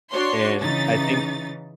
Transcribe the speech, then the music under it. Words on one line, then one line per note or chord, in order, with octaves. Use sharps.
and I think
D4 F#4 C#5 C6
C#3 E3 D#4 A6